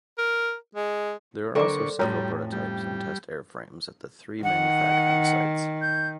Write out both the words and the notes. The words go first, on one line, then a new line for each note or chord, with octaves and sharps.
There are also several prototypes and test airframes at the three manufacturing sites.
A#4
G#3
D#2 D3 A4 A#4 C5 D5 C#6 D6
F2 A2 G3 C#4 F#4 A#5
G3
D#3 F#5
G6